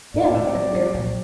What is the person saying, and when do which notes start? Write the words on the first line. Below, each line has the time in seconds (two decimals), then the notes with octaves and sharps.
Yeah, thank you.
0.14 A2 D5
0.34 A2
0.55 F#3
0.75 F#3
0.94 A#1